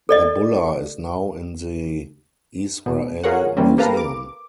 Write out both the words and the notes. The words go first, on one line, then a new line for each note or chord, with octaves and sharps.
The bulla is now in the Israel Museum.
A4 D5 D#5
B2
F4 G#4 A#4 C#5 F#5
E3 G3 A#3 C4 C#4
A#3 G4 A4 B4 F5 A#5
D6